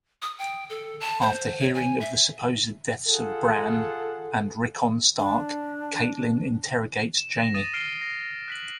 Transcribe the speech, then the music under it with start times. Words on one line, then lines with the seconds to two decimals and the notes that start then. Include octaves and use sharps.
After hearing of the supposed deaths of Bran and Rickon Stark, Catelyn interrogates Jaime.
0.22 D#6
0.39 G5
0.70 A4
1.00 A5
1.21 C5
1.60 C#5
1.74 G#5
2.00 E5
3.08 F4 G#4 A4 F#5
5.19 D4
7.18 E7
7.39 A#6 E7
7.54 D#6 A6 D#7 E7
7.73 F6 C7 D7 D#7 G7
8.01 A#6
8.48 F#6 B6 F#7